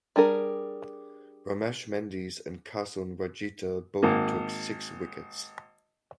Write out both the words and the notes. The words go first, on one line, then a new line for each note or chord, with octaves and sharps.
Ramesh Mendis and Kasun Rajitha both took six wickets.
G3 D4 G#4 A#4
G#1 A#3